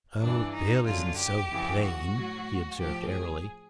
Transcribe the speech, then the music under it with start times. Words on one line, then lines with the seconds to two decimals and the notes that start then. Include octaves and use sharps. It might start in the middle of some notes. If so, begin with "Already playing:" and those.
"Oh, Bill isn't so plain," he observed airily.
0.23 G2 E3 D4
0.55 D#4
0.87 F#2 D3 F#3 F4
1.19 G4
1.51 F2 C#3 E3
1.83 F#4
2.15 A2 F#3
2.79 A2 F3 G4
3.11 G#4